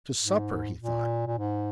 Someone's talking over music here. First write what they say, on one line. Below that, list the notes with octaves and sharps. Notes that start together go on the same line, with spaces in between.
"To supper!" he thought.
G#2
A#2
A#2
G#2